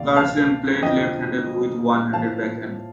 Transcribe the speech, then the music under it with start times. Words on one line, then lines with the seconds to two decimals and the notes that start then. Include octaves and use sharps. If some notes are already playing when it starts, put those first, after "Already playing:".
Carlsen played left-handed with a one-handed backhand.
Already playing: D2 C3 D#3 A#3 D5 F5
0.16 F5 A5
0.82 F2 D3 F3 D#5 G5
2.13 A2 F3 A#3 F5 A5